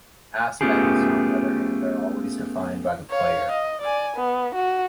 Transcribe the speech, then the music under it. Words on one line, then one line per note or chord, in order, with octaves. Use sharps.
Aspects, on the other hand, are always defined by the player.
A3 B3 C#4 F4 G4 G#4
C#5 F5
D#5
D5 G#5
B3
F#4